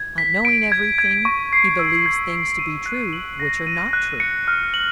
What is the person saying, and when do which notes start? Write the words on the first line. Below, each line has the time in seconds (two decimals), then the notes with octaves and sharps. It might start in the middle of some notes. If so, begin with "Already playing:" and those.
Not knowing everything, he believes things to be true which are not true.
Already playing: G#6
0.18 B6
0.45 D7
0.72 G#6
0.98 G#6
1.25 C#6
1.53 C7
1.79 E6
2.06 G#6
2.32 C#6
2.59 D#7
2.86 F#6
3.13 F#7
3.40 A#6
3.67 D#7
3.93 F#6
4.20 C#7
4.48 F6
4.74 F#7